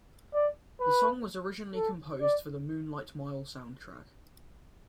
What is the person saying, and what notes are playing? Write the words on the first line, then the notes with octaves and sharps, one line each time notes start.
The song was originally composed for the "Moonlight Mile" soundtrack.
D5
B4
A4
D5